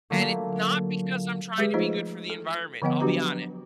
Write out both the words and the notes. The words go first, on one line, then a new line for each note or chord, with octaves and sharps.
and it's not because I'm trying to be good for the environment, I'll be honest.
D3 F#3 A3 A#3 F4
G#3 G4 G#4 B4
F3 A3 D#4 F4 C5 D#5
A4
D3 F3 B3 D#5 F#5
F#3 D4 F#4 G4 B4 A#5